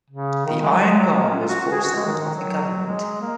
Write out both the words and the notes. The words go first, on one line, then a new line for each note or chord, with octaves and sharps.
The Iron Guard was forced out of the government.
C#3
D#3
G#3
F#3
G#3
F#3
G#3
A#3
C#4
F4
F#4
F#4
G#4
F#4
G#3
D#3
D#3
F#3
G#3
A#3